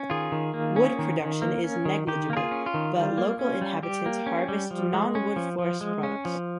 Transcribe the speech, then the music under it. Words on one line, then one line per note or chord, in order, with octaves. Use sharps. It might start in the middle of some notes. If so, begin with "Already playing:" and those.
Wood production is negligible, but local inhabitants harvest non-wood forest products.
Already playing: C#4
D#3 F4 G#4
D#3
A#3
C#4
D#3
D#3
A#3
C#4
D#3
D#3 G4
A#3 A#4
F4 G#4
C#4
F4
D#3
G3
A#3
C#4
G3
G3 G4
A#3
C#4
G3
F3
G#3
C#4
F3
F3
G#3
C#4
F3